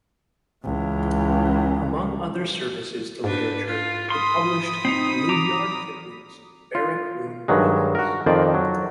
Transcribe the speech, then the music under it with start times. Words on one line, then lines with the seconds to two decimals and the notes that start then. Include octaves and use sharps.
Among other services to literature it published Rudyard Kipling's "Barrack-Room Ballads".
0.64 C#2 E3
3.24 G#2 D4 B4
3.66 F4
4.10 B5 C6 D#6
4.85 C4 D#4
5.29 A#5 D6
6.75 F4
7.48 G2 D#3 F#3 G#3
7.95 F#4 A#4
8.26 F2 D#3 C5 D5
8.54 F#3